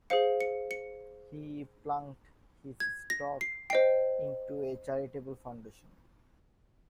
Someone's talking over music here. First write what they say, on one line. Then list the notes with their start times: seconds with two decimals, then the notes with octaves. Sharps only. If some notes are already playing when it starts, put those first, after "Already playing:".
He plunked his stock into a charitable foundation.
0.10 G#4 C5 F5 C#7
0.41 C#7
0.71 C#7
2.80 G#6
3.10 A#6
3.41 C7
3.70 C5 D#5 G5 C7